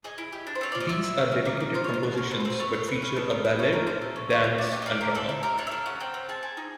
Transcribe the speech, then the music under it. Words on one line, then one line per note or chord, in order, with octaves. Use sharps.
These are dedicated compositions but feature a ballad, dance and drama.
G#4 D#5
E4
G4
D4
C5
C4 C#5
F4 D5
D#5
E4 E5
E4
C#4
C#4
A#3 D#5
A#3
F4 C5
C#5
F4
C5
F#4
C#4
C4 B4
C5
C4
B4
A3 C#5
C4 C#5
C#4 B4
C#4
B3 A4
B3 A#4
E4 B4
C#4 A4
F4 A#4
F4 C5
A4
C#4
F#4 C#5
F#4
D4
G4
D#5
A#3 D5
A#3 A#4
C4 A4
E4
G4 A#4
D4 C#5
E5
A4 F5
C#4 F#5
C4 G5
C4
G#4 A5
G#4
D#4